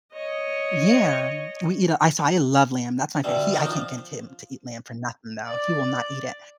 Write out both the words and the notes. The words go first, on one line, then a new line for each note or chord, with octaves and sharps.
Yeah, we eat, uh, I so, I love lamb. That's my fa he, I can't get him to eat lamb for nothing though. He will not eat it,
C#5 D#5
B2 D3 E3 G3
D#3 D4 D#4 D5 D#5
F3
D5